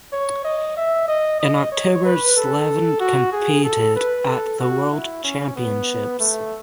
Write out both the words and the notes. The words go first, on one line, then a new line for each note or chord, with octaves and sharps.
In October Slevin competed at the World Championships.
C#5
D#5
E5
D#5
D#5
C#5
B4
A4
F#4
G#4
A4
B4
A4
F#4
E4
C#4
B3
A3